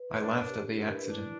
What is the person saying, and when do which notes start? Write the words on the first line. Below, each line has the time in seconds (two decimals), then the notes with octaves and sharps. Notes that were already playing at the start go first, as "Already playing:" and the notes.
I laughed at the accident.
Already playing: B4
0.09 E4
0.19 D4 C#5
0.35 A#4
0.49 G4
0.64 D4
0.78 E4 A#4
0.93 E4 B4
1.08 D4 E4